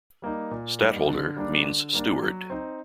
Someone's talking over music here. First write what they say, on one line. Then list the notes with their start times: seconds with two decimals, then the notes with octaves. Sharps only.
"Stadtholder" means "steward".
0.22 G3 A#3 D#4
0.51 A#2
0.79 G3 A#3 D#4
1.08 D3
1.36 G3 A#3 D4
1.64 D3
1.93 G3 A#3 D4
2.22 F#3
2.50 C4 D#4